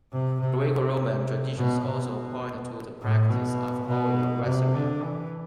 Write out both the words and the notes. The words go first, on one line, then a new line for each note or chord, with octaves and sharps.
Greco-Roman traditions also point to the practice of oil wrestling.
C3
C3
B2
B2
A2
B2
B2
C3
D3
E3